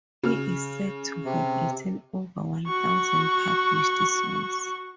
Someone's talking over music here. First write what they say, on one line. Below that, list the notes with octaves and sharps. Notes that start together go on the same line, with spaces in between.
He is said to have written over one thousand published songs.
C#3 F6
C3
F#4 C#6